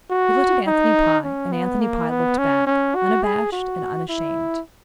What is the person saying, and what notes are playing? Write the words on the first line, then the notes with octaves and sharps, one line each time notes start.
She looked at Anthony Pye, and Anthony Pye looked back unabashed and unashamed.
F#4
D#4
C#4
B3
A#3
B3
C#4
C#4
F#4
G#4
F#4
E4